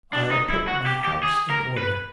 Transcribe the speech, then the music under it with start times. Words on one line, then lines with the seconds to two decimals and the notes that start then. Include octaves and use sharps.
I'll put my house in order.'
0.13 D4
0.31 D#4
0.50 E4
0.68 F#4
0.86 G4
1.05 G4
1.23 G#4
1.50 A#4
1.77 B4